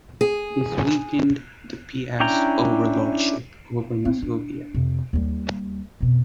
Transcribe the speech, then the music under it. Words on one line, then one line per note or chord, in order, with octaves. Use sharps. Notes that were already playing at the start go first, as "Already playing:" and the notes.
This weakened the Piast overlordship over Masovia.
G#4
C#4 D4 E4 G5 A#5
C4
D4
F2 C3
D#2 G3
F2 B2